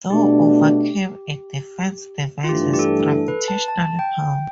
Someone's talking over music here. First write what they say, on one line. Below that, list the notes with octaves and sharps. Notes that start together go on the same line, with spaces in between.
Thor overcame a defense device's gravitational power.
B2 A3 D4 G4
F4
G2 E3 A3 D4 G4
G4
A4
A4
B4
A5
A5
G5